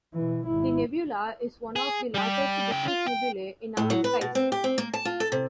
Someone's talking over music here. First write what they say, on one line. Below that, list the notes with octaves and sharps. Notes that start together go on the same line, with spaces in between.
The nebula is one of the largest diffuse nebulae in our skies.
B2 E3
G#1 E4
G#4
G3 G4
C#3 G5
F4
G5
A2
F#3
B4
B2
C4
G4
C4
A#3
A5
F4
A4
C3